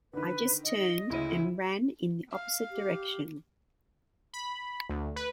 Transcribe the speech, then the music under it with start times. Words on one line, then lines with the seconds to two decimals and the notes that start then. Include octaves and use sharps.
I just turned and ran in the opposite direction.
0.13 D3 D#3 B4
0.64 D#5
1.10 D2 C#3 E4 D#7
2.31 F5
2.71 G4
4.33 B5
4.89 D2
5.16 B4